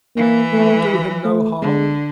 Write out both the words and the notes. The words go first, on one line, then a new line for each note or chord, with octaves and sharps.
You will do him no harm.
E3 A#3
A3
A3
D3 G#3